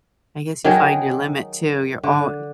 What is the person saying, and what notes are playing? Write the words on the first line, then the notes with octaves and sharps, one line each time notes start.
I guess you find your limit, too, you're all
D#3 F#3 G#4 A#4
D3